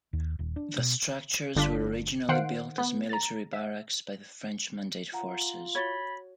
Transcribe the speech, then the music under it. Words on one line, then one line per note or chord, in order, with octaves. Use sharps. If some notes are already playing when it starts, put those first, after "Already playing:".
The structures were originally built as military barracks by the French Mandate forces.
D#2
D#1
D4
B2
G1 D3 D4 F4 B6
D#3 C5 F5 F#5 C7 D7
B3
A#5 A6
E5
F4 F#5 A#5
F#4 C#5 B5 G#6 A6 G7